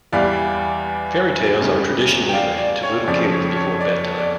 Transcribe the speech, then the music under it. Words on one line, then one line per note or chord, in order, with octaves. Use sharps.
Fairy tales are traditionally read to little kids before bedtime.
E2 E3 G3 D5 F5
E2 C#3 G3
G5
D5 F5
D5
C#5
F2 C#3 F3 D5
C#5
C#5
D5
D5